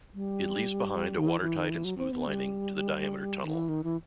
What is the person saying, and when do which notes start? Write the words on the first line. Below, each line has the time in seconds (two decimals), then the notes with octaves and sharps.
It leaves behind a watertight and smooth lining to the diameter tunnel.
0.15 G3
1.19 D#3
1.27 E3
1.41 E3
1.56 D#3
1.71 E3
1.85 F#3
1.98 C4
2.12 B3
2.27 G3
3.44 D#3
3.54 E3
3.69 D#3
3.84 E3